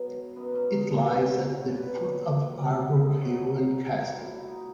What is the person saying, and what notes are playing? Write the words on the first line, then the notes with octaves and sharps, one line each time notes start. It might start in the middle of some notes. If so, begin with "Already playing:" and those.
It lies at the foot of Aarburg hill and castle.
Already playing: B2 F#3 B3
F#2 D#3 F#3 B3
C#4
D#4
E4
B4
A#2 F#3 C#5
A#2 F#3 B4
G#2 F#3
G#4
E4
G#2 D#3 F#3 F#4
A#2 F#3 E4
D#4